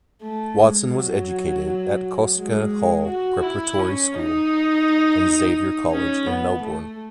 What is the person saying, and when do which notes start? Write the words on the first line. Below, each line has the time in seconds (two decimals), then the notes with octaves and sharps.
Watson was educated at Kostka Hall preparatory school and Xavier College in Melbourne.
0.22 A3
0.59 G#3
0.94 F#3
2.37 G#3
3.07 F#4
3.43 E4
3.78 C#4
4.14 D#4
5.92 C#4
6.27 B3
6.63 A3